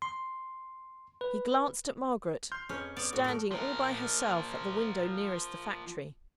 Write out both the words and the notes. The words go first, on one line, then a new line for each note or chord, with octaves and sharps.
He glanced at Margaret, standing all by herself at the window nearest the factory.
C6
B4
C6 F6 G6
F2 C#4 G#4 B4 C#5 F6
B3 D5
A2 F#4
A3 A#4
F3 A#4